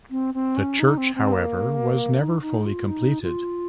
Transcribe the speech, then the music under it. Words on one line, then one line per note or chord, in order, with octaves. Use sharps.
The church, however, was never fully completed.
C4
C4
C#4
D#4
C4
C4
A#3
D#4
D#4
F4
D#4
F4